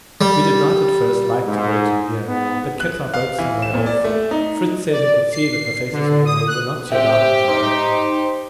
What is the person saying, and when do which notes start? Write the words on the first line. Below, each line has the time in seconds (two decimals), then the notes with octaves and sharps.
We did not at first like to go too near, but kept our boat some way off. Fritz said he could see that the faces of the men were not so dark as our own.
0.21 G3
1.46 G#2
2.27 G#2 B3
2.80 F#6
3.14 F5
3.38 E3
3.62 E7
3.74 A#2
3.86 D5
4.04 A3
4.31 D#4
4.91 D5
5.32 C7
5.92 D3
6.25 D#6
6.47 F#6
6.92 C#3 C4 G4 C5 E5 G5
7.49 D#4 C5 D6